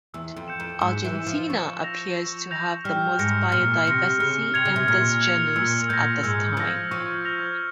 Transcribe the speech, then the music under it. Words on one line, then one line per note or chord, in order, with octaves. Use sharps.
Argentina appears to have the most biodiversity in this genus at this time.
E2 E6
F2
G6 C#7 E7
F2
G#2 E6
E3
G6 C#7 E7
F3
F3 C#6
G6 A#6 F7
C#6
G6 A#6 F7
G3 F6
G#2 A#6 C#7
A#2 F6
C3 A#6 C#7
C#3 F6
C3 G#6 C#7 F7
C#3
C3
A#2 F6
G#6 C#7 F7
A#2 E6
A#2 G6 A#6
G#2 E6
F3 G6 A#6
F3 C#6
F6 A#6 F7